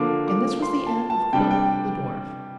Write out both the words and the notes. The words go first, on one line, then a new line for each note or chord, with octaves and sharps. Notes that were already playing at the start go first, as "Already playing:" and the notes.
And this was the end of Quilp, the dwarf.
Already playing: D3 F3 A#3 D4 D6
D6
C6
A5
A5
C3 G3 D4 G5
G5